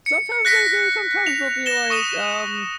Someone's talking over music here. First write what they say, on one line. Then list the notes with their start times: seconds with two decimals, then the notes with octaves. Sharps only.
Sometimes they do, sometimes they'll be like, um,
0.06 C#7
0.45 F#6 A#6 B6 C#7
1.26 F7
1.66 A#6 E7 G7
1.90 C#6 D#6 E7 G7